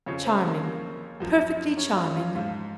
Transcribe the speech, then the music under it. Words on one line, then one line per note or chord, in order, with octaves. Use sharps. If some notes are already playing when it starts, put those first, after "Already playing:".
Charming; perfectly charming.
F2 C#3 F3 C#4
C4
A#3
A#3
F#2 F3
C#4
F4
F4
G#2 F3 F4